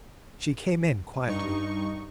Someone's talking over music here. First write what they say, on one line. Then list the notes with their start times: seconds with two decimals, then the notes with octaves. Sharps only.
She came in quietly.
1.27 G2 D#4 C#6